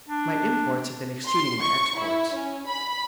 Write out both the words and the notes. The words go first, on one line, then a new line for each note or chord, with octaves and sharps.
My imports have been exceeding my exports.
D4
C6
C#6
E4
C#4
B5